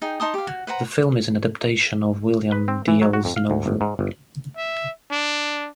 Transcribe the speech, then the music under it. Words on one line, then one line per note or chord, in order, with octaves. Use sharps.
The film is an adaptation of William Diehl's novel.
D#4 G#4 G5
D#4 A5 C6 D#6
G4 F5
F#4
B4 C5 F#5 A#5
B4
C4
E3
F#3
F#4
F2
F5
D2
G1
G#2
G1
E5
D4